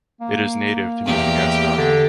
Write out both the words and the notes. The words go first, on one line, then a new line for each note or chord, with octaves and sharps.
It is native to Madagascar.
A#3
E2 G4
D3